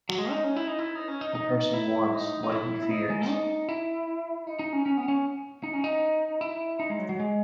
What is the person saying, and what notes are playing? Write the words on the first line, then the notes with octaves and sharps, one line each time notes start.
The person wants what he fears.
F#3
G#3
D#4
C#4
E4
D#4
E4
D#4
C#4
D#4
D#4
E4
D#4
D#4
E4
E4
D#4
G#3
D#4
E4
D#4
D#4
C#4
C#4
B3
C#4
D#4
C#4
D#4
E4
D#4
G#3
F#3
F#3
G#3